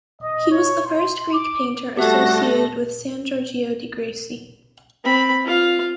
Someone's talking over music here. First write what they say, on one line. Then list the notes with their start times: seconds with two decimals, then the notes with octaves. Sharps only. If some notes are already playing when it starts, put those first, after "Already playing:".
He was the first Greek painter associated with San Giorgio dei Greci.
0.22 D#5
0.50 C#5
0.85 C6
1.32 D6
1.97 G3 A3 F#4 G4 A4 E5 A#6
5.04 C4 B5
5.45 F4 F5